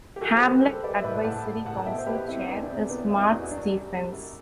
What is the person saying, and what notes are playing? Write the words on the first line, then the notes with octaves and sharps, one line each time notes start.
Hamlet Advisory Council Chair is Mark Stephens.
G4
E3 F#4 A4
C5
E3 G4 B4
G3 A4 C5
G3 B4 D5
E5
A2 B4 D5
A2 F#5 A5
A2
A2 F#5 A5
A5
B2 E5 G5
C5
B2 G4 B4
G3 C4 E4
E2 B3 D4
D4
E2 C4
E2 B3 D4
B2 C4 E4
E2 D4 F#4
F#2 D4 F#4
G3
G3
F#2